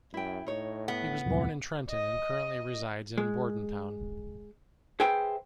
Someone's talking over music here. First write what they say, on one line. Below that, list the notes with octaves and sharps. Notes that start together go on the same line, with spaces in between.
He was born in Trenton, and currently resides in Bordentown.
F#2 E4 G5
A2 D#4 C#5
B3 F#5
D1 C2 F2
D#5
G#3
G#4 B4 C5 E5 G5